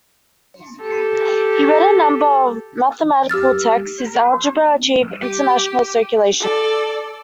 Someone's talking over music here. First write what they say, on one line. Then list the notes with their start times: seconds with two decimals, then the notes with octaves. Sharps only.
He wrote a number of mathematical texts: his "Algebra" achieved international circulation.
0.82 G4 A4
3.29 G4 E6 F6 A6
5.22 G4
6.40 A4 D5